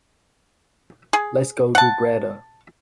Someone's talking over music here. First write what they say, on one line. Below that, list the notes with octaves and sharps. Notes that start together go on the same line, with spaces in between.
Let's go to Breda.
G#4
F#5 A5